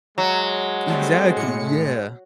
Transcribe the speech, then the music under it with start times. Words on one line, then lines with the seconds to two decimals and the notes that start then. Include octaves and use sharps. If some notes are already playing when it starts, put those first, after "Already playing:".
Exactly, yeah,
0.18 F#3 G#3
0.88 G3 A3 C4
1.36 A2 C#7